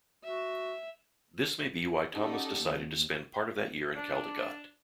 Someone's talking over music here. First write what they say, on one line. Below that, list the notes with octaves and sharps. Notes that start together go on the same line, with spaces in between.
This may be why Thomas decided to spend part of that year in Caldicot.
F#4 E5
C#4 D#4 G4 A4 D5 F#5
D#2
D4